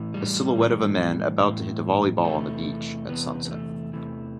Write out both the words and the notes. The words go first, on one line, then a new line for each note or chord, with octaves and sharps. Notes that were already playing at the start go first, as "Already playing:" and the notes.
A silhouette of a man about to hit a volleyball on the beach at sunset.
Already playing: A2 E3
G3
A2 E3
A2 E3
E2 C3 E3 A3
E2 C3 E3 B3
B3
A3
E2 C3 E3 A3